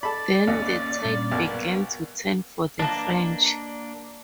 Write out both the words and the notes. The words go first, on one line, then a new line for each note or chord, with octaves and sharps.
Then, the tide began to turn for the French.
A4 D5 B5
G#1 D#2 C#4 F5
G2 A#2 C#4
B1 A#4 B4 F5
A#3 D4 B4 D#5 A5